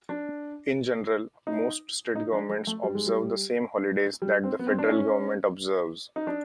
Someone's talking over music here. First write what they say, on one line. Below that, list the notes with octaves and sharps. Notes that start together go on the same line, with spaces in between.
In general, most state governments observe the same holidays that the federal government observes.
D4
D#4
D#4
D4
G#3
A3
G3
G#3
G3
G3
C4
B3
C4
D4
C#4
D#4
D4